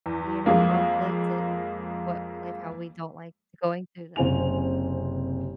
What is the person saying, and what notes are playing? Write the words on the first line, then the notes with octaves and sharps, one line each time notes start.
you know, conflict and what like, how we don't like going through that.
E2
F2 F3 G#3 A#3
F#1 C3 C5 G#5 F7